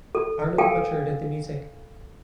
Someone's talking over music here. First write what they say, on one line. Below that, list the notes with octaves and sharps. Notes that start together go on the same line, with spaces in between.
Arnold Butcher did the music.
A4
A4 A#4 F5 G5 G#5